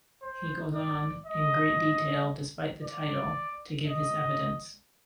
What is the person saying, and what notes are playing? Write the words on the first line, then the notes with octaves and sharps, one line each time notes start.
He goes on, in great detail-despite the title-to give his evidence.
C5
D5
D#5
D5
D#5